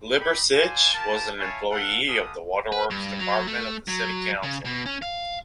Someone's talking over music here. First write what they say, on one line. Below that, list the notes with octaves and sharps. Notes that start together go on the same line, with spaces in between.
Liversidge was an employee of the waterworks department of the City Council.
D#4 G4 B5
A4 C5 D5 F5 G#5
F4 G4 A#4 A5
E4 C#5 F5 G#5 A5
A4 F5 F#5
G#3 B3 G4 A4 F5 D#6
B4
G2
F#3
A3
F#3
C#3
B2
C#4
F5